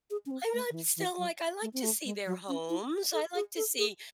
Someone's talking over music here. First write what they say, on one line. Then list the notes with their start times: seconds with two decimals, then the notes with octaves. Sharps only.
I'm not still like, I like to see their homes. I like to see
0.10 G#4
0.26 C#4
0.31 C4
0.53 A3
0.70 D#3
0.74 E3
0.97 E3
1.18 F#3
1.62 A3
1.73 C4
1.83 A3
2.05 G#3
2.26 F#3
2.48 C#4
2.69 E4
3.13 A4
3.35 G#4
3.57 A4
3.79 G#4